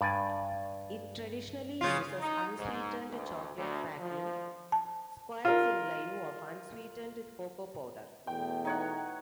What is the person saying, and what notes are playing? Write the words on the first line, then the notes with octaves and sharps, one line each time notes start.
It traditionally uses unsweetened chocolate baking squares in lieu of unsweetened cocoa powder.
G2 D5 G#5
C#3 F4
D#4
G#2
D2
D2
F3
A5
F4 A#4
E2 B2 A3 G5
D#4 C#5 F#5